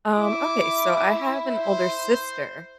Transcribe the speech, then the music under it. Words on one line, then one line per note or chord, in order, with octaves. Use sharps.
Um, okay, so I have an older sister,
E4 E5 D6
C5